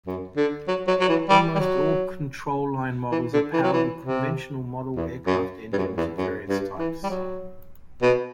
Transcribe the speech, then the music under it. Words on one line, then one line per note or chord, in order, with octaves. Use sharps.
Almost all control-line models are powered with conventional model aircraft engines of various types.
F#2
D3
F#3
F#3
F#3
E3
G3
G3
F#3
E3
D3
E3
F#3
E3
C3
E2
F#2
G2
F#2
E2
F#2
G2
E3
G3
F#3
B2